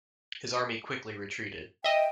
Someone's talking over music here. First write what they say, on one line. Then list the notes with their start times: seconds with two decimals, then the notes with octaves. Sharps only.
His army quickly retreated.
1.84 D#5 E5 G5